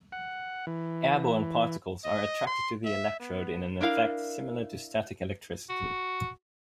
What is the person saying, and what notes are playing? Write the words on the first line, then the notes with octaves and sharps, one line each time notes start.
Airborne particles are attracted to the electrode in an effect similar to static electricity.
F#5
E3
D#5
C6
E5
B3
D4 E4 A#4 F5
F#4